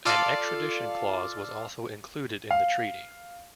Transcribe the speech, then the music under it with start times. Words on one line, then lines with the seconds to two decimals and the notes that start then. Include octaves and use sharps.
An extradition clause was also included in the treaty.
0.05 F4 A4 D5 F5
2.51 F5